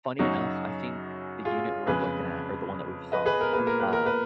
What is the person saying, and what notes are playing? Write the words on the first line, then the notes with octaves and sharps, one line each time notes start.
funny enough, I think the unit we're looking at or the one that we've saw, um,
F#2 C#3 F#3 D#4 F#4
F4 G#4
F2 C#3 G#3 G#4 B4
B4 D#5
G#4 B4
A#4
A#2 G#3 B4
A#4
B4
A#4
B4